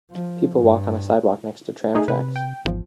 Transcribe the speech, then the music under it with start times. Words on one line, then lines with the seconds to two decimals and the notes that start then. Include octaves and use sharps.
People walk on a sidewalk next to tram tracks.
0.11 F3
0.56 G2
1.95 A3 D#4 G#4
2.08 C3 B4
2.36 G5
2.65 G#1 E2 F3